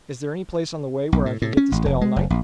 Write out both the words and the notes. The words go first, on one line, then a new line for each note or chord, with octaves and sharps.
"Is there any place on the way where I can get to stay all night?"
B1
A2
A2
C#4
A1
F1
G#3
F#1
A#1